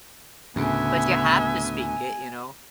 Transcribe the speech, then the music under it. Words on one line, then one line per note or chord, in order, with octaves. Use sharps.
But you have to speak it, you know?
D2 A2 C#3 B3 E5 G#5